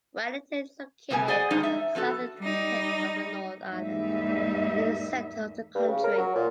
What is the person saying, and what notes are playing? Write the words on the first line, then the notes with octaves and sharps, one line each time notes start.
Wellington is located on the southern tip of the North Island in the center of the country.
C3 G3 B3 A#4 G#5
G#4 C5 D5 D#5 F#5 G#5
F3 G3 D#4 C5
E5
F3 B3 F#4 A4
G3 D#4
E2 G#2 G3 A#3 D#4 E5
G2
C#3
A#4
F#3
A#2